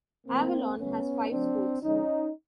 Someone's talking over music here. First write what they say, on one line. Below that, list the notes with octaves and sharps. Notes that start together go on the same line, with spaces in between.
Avalon has five schools.
C3 F3 A3 A#3 C4
C#3 F#3 A3 B3 C#4
D3 F#3 A3 C4 D4
D3 F3 G#3 C#4 D#4